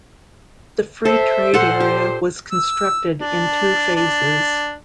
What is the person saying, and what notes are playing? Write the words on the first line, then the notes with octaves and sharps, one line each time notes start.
The free trade area was constructed in two phases.
A4 C5 E5
A#2 A4 C5 F#5
G4
E6
D4
D4